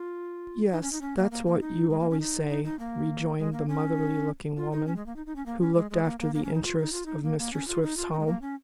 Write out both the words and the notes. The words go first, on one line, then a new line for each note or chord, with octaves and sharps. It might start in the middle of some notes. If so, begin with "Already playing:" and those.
"Yes; that's what you always say," rejoined the motherly-looking woman, who looked after the interests of Mr. Swift's home.
Already playing: F4
D#4
C#4
D#4
C#4
A#3
A#3
A#3
D#4
G#3
A#3
C#4
D#4
D#4
D#4
A#3
G#3
A#3
C#4
F4
D#4
C#4
G#3
A#3
D#4
D#4
C#4
A#3
C#4
G#3
G#3
A#3
A#3
A#3
C#4
D#4
F4
D#4
F4
D#4
A#3
A#3
C#4
F4
D#4
F4
D#4
G#3
A#3
C#4